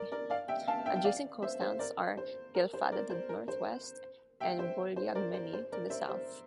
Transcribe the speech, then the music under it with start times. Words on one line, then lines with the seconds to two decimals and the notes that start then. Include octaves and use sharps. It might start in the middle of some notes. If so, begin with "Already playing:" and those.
Adjacent coast towns are Glyfada to the northwest and Vouliagmeni to the south.
Already playing: A#4 D5
0.12 A#4 D5
0.30 D5 F5
0.48 E5 G5
0.68 F5 A5
0.86 E5 G5
0.96 G5
1.04 D5 F5
1.42 C5 E5
1.60 C5
1.79 A#4 D5
2.17 C5
2.55 A#4
2.73 C5
2.92 A#4 D5
3.10 C5
3.29 A#4
3.48 C5
4.40 E5 G5
4.59 C5
4.96 C5
5.15 A#4 D5
5.34 C5
5.53 C5
5.72 A#4 D5
5.90 C5 E5
6.09 C5